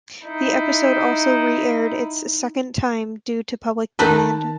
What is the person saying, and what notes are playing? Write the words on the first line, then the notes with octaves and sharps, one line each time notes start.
The episode also re-aired its second time due to public demand.
D#4 E4
D#3 D#4 B4 A5